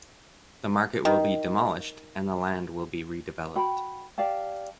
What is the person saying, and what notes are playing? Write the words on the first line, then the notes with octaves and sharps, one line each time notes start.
The market will be demolished and the land will be redeveloped.
D#3
F#4 G5 B5
G4 D5 F5 A5